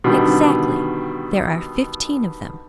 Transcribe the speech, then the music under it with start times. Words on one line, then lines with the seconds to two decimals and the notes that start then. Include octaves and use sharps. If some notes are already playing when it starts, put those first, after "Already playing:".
"Exactly; there are fifteen of them."
0.04 B2 D3 D#3 G3